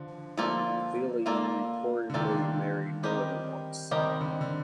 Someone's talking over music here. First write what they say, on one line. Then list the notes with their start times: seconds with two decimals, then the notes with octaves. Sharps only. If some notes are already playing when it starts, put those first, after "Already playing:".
Thiele reportedly married more than once.
Already playing: D3 F3
0.38 F3 A#3 F4 A4 D5
1.26 A#3 F4 A4 D5
2.10 D3
2.14 D#3 A#3 F4 A4 D5
3.03 G3 C4 G4 A#4 D#5
3.91 D#3 G3 C4 G4 A#4 D#5
4.21 D3
4.41 D3